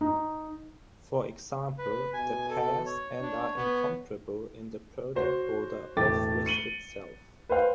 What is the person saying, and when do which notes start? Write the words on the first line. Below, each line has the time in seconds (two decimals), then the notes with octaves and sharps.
For example, the pairs and are incomparable in the product order of with itself.
0.01 D#4
1.78 B4
2.14 B2 G#5
2.50 A4
2.86 C#5
3.21 D4
3.56 B3
5.15 F#4 C5 C#5
5.97 E1 A2 A3 G5 D6 A6
6.46 C#7 D#7 F#7 G7
7.49 B4 C5 F5 G5